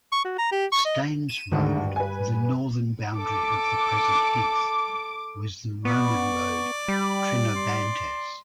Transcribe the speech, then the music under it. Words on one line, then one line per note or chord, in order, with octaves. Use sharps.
Staines Road, the northern boundary of the present Heath, was the Roman Road, "Trinobantes".
C#6
F#4
A#5
G4
C#6
D#5
D#7 E7
D2 G#2 D3 D#3
G2
B4 G#5
A4 D6
B3 D5 C#6
G3 B5
C6